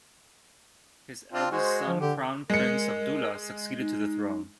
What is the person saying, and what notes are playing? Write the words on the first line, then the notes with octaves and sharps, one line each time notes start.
His eldest son Crown Prince Abdullah succeeded to the throne.
C4 D4 F4
G#3 F#4 C5
F3
D3 G4
G#3 A#4 C#7
D#4